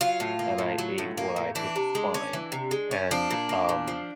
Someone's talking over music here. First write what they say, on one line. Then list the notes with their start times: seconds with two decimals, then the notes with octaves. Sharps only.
and I ate what I could find, and, um
0.01 F#3 F4
0.20 A2
0.39 A#3
0.58 A2
0.78 F#3
0.98 A2
1.17 A#3
1.36 A2
1.55 E3 D4
1.76 C3
1.95 G#3
2.14 C#4
2.33 E3
2.52 C3
2.71 G#3
2.91 C#4
3.11 F3 D4
3.30 A#2
3.49 A#3
3.69 A#2
3.88 F3